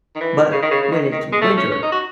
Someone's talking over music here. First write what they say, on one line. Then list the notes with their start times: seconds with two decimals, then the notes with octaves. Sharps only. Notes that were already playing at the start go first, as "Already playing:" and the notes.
but, when it's winter,
0.15 D#3
0.21 E3
0.52 C#3
0.62 D#3
0.71 C#3
0.82 C#3
0.92 D#3
1.12 D#3
1.32 G#3
1.42 A3
1.58 C#4
1.72 C#4
1.83 D#4
1.92 F#4